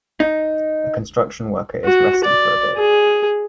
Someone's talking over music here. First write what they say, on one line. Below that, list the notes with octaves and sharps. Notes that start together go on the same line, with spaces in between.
A construction worker is resting for a bit.
D#4
F#4
D5
G#4